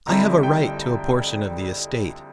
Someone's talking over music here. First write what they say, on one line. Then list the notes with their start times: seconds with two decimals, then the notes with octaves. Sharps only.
"I have a right to a portion of the estate."
0.07 F2 D3 G3 C4 E4 A#5
0.43 G5